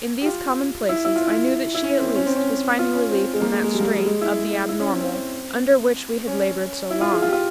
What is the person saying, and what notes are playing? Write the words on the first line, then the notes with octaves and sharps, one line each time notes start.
In these commonplaces I knew that she at least was finding relief from that strain of the abnormal under which we had labored so long.
G4
F4
E4
E4
F4
E4
E4
C#4
C4
C#4
C4
C#4
F4
C#4
C4
G#3
A#3
G#3
G#3
G3
A#3
G#3
G3
G#3
E4
E4
C#4
C4
C4
C#4
E4
F4
G#4
F4
G4
F4